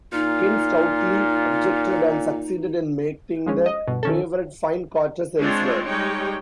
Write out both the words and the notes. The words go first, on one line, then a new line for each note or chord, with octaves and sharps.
Ken stoutly objected and succeeded in making the favourite find quarters elsewhere.
A#2 D#4 F4
F3 G#3 C#4
D#5
G1 B2
D#3 C#4 A4
G#3 C4 D4 F4 C#5
G3 G#3 D#4 C#5 G5